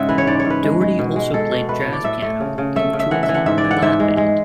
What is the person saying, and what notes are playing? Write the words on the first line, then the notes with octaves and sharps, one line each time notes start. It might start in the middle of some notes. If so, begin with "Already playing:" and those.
Daugherty also played jazz piano in the Two O'Clock Lab Band.
Already playing: G#2 C#3 G#3 E5 F#5
E3 B4
C#5
G#2 D5
C#5
G#2
B4
G#3
G#3
B2
G#3
G#3 A4
B2
A3 B4
C#5
A2
D5
A2 E5
A3
C#3
C#3
A3 E5
C#3
E5
E3 F#5
E5
E3
F#5
G#2 E5
D5
E3
F#5
G#2 E5
G#3
G#3